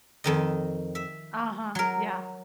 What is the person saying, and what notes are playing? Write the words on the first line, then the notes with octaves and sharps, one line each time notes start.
Uh-huh, yeah,
F2 D#3 D#5
E5
F#3 A#4